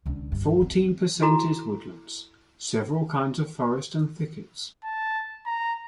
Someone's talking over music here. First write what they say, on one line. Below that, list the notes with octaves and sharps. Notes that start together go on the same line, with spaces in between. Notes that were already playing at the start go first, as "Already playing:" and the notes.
Fourteen percent is woodlands - several kinds of forest and thickets.
C#2 D3
G2
C4
E4 F#4 A4 A#5
A5
A#5